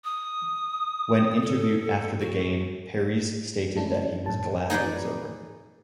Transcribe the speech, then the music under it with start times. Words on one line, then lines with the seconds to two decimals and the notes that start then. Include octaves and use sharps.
When interviewed after the game, Parise stated that he was glad it was over.
0.04 D#6
1.42 A4
2.20 F#4
3.76 G#3 A3 C#4 D4 E4 A4
4.26 F#2 A2 A5
4.70 D#4 G#4 B4 D5